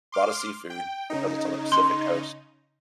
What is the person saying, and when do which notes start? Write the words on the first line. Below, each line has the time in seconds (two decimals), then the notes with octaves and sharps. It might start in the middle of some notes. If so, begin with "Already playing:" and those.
lotta seafood because it's on the Pacific Coast.
0.12 C6 D6 F6
0.70 G5
1.10 C#3 D#4
1.72 C6